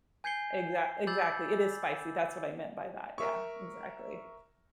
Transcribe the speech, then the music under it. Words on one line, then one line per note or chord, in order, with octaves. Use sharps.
Exact exactly, it is spicy, that's what I meant by that, yeah, exactly.
G#5 G6 G#6 C7 C#7 G7
B5 D6 E6 G6 A6 F#7
A#4 E5 C#6